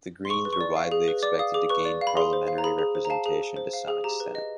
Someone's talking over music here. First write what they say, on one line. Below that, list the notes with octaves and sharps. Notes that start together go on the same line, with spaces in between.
The Greens were widely expected to gain parliamentary representation to some extent.
C6
G#4 C#6
B4
C#6
D5
F5
G#4
B4
D5 D6
F5 D#6
G#4 D6
B4 C#6
D5
F5
B5
G#4 C6
C5
F5
A#5
G#4 B5
G#4
C5
A#5
F5 A5
G#4
G#4
C5
F5
G#4
G4 A#5
B4
D#5